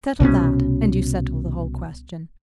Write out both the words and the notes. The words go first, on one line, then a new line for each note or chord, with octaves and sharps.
Settle that, and you settle the whole question.
C2 B2 D#3 C#4